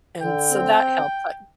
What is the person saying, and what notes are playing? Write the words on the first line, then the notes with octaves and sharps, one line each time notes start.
And so that helps, I
D3 G5
C4